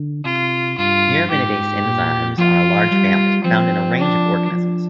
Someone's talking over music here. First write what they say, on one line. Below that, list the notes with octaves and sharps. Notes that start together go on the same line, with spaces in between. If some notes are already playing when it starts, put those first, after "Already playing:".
Neuraminidase enzymes are a large family, found in a range of organisms.
Already playing: D3
C3 F4
G2 F4
G#2 G4
A#2
F3 F4
G3
F3 C4
D4
F3